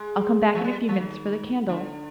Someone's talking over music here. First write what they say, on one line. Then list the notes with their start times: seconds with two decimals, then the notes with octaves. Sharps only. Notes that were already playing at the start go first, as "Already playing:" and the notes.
I'll come back in a few minutes for the candle.
Already playing: G#3
0.55 F3
0.64 G3
0.89 F3
0.99 D#3
1.69 D3